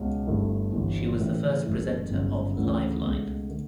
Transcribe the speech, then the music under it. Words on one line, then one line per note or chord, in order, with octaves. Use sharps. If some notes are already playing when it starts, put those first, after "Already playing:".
She was the first presenter of "Liveline".
Already playing: C#2 B2 C#4
G1 G2 D3 A3 E4
G1 G2 E3
A2 E3 A3 C#4 E4
F#1 F#2 E3 A3 E4
G1 F#2 C#3
D2 C#3 E3 A3
C#2 B2 A3
D3 A3